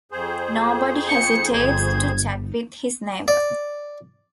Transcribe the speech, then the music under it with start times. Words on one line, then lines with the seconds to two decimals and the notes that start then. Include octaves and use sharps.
Nobody hesitates to chat with his neighbor.
0.12 F2 G#4 C5
1.09 C#7
1.54 G1 G#6
3.28 D5